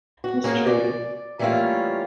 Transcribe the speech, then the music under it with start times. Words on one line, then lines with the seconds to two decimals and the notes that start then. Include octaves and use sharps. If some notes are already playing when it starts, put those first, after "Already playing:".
That's true.
0.24 F#4
0.44 A#3 C#4 F#4 G#4
0.67 D5
1.39 E3 G3 A3 A#3 C#4 F4